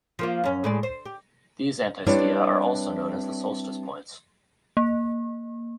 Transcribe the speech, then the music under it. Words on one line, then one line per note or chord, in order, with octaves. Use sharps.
These antiscia are also known as the "solstice points".
F3 A#3 F4
F#2 C#4
A2 G#3 D5
C5
G4
G3 C4 D4 E4 B4 C#5
A#3